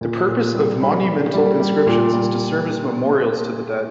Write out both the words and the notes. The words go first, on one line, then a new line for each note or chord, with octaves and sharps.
The purpose of monumental inscriptions is to serve as memorials to the dead.
A#2
A#2
G3
G3 B5
G3
G3
G3
A#2
G3